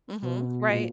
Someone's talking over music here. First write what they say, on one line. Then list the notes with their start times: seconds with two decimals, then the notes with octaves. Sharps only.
Mhm. Right.
0.22 B2
0.70 A#2